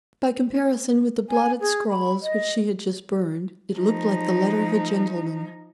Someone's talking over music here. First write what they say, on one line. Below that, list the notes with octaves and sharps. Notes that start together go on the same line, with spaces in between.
By comparison with the blotted scrawls which she had just burned, it looked like the letter of a gentleman.
G#5
G#4
B5
D#5
F3 D#4